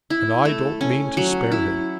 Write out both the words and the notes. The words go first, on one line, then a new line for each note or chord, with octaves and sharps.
"And I don't mean to spare him."
E4
A3
C#4
F#3
E4